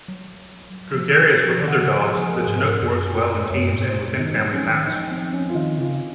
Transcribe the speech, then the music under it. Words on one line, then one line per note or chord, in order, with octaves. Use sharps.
Gregarious with other dogs, the Chinook works well in teams and within family packs.
F#3
F3
D#3
F3
F3
D#3
F#5
C#3
F3
F3 G#4
A#4
G#4
G#2
A#4
F#2
F#2 C#5
G#2
C5
A#2
D#3 D#4
F#3
F3 C#4
D#3
F3 D#4
C4
C#4
F4
D#3 D#4
C#3 F4